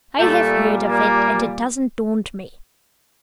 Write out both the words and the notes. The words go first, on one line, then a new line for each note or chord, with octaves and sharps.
"I have heard of it--and it doesn't daunt me."
A#2 G3 A3
A#3